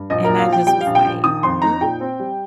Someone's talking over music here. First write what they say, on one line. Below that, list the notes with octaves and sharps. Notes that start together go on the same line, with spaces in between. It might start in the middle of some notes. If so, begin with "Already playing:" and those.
and I just was like, "Hmm?"
Already playing: G2
A#1 D#5
A#2 A#4
F5
F3 G5
G3 G5
F5
A#1
G5
A#1
D#3 D#6
F2 C6
D#4 A#5
A#2 G5
C4
G3